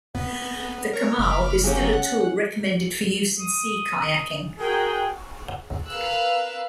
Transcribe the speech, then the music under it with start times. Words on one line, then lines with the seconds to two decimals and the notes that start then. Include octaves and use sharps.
The kamal is still a tool recommended for use in sea kayaking.
0.15 B3
0.93 A#4 C#5
1.19 F#1 B5 D6 F6
1.64 F#3 A#3 C#4 G4 G#4
1.93 F#5
3.38 D#6
4.59 F#4 G#4 A#4 G5
5.88 A#4 B4 F5 E6 F#6